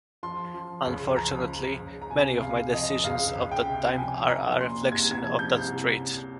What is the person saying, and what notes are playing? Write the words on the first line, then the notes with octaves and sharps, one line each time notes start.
Unfortunately, many of my decisions of that time are a reflection of that trait.
F3 C6
F3
C#2
F3 A#5
F3
C#2
A#5
C3 G#5
C#2 F5
F3 D#5
C#2 F5
C#2
G5
C3
F3 G#5
F3 A#5
A#2 C6
C2 G#6
G#6
F3
G6
C2